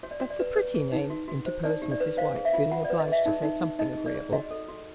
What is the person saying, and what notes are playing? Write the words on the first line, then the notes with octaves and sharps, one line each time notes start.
"That's a pretty name," interposed Mrs. White, feeling obliged to say something agreeable.
F#4 C#5
D5
F#4 C#5
D5
B4
B4 C#5
G#4
D#4
F#4
F#4
C5
D#4 D5
G4
D5
B4
C5 F5
G#4
E5
F4
F4 F#5
D5
B4
D#5
G#4 E5
D#4
D#4
D#4
D#4 D#5
G#4
D5
G#4
F#4 D#5
A4
F#4